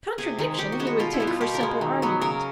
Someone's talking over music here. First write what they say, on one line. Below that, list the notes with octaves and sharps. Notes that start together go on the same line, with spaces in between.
Contradiction he would take for simple argument.
C3 G#4
D#3 G#3
D#3 G4
F#4
G#3 B3
F#4
B2 F4
E4
G3 B3
F4
B2 G4
A#4
G#3 B3
D#3
F#3 B3
C#3 A#4